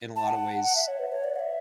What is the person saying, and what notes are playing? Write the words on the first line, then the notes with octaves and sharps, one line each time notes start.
In a lotta ways,
A5
F#5
F#5
E5
C#5
B4
C#5
D5
F#5
E5